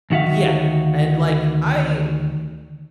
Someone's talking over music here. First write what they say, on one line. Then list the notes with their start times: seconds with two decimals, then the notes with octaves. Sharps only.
Yeah. And, like, I
0.10 D2 D#3 F#4 E5 F5